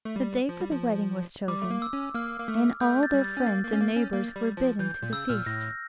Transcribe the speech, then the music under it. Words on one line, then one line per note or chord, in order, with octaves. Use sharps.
The day for the wedding was chosen, and all their friends and neighbours were bidden to the feast.
A3
G3
F3
G3
F3
G3 D6
A3
A#3
E6
C#4
A#3 F6
A#3
A3
A3 G6
A6
G3
A6
C#4
A#3 A6
A#3
C#4
A#3
C#4
A#3
G3
F3
E3 G6
A#2
C#3 E6
A#2 F6
A2 A#6